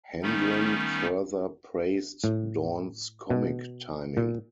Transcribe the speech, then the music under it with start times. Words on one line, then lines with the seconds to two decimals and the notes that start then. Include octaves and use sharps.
Handlen further praised Dorn's comic timing.
0.22 D#3 G3 A3 B3 C#4 D#4
2.24 A2
3.30 B2
4.17 A#2